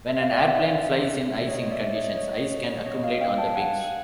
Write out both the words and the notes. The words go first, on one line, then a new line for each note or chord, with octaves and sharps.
When an airplane flies in icing conditions, ice can accumulate on the wings.
E5
F5
D5 E5
C#5 D#5
D5 E5
C#5 D#5
C#5 D#5
C#5 D#5
D#5 F5
F5 G5
G5 A5
F#5 G#5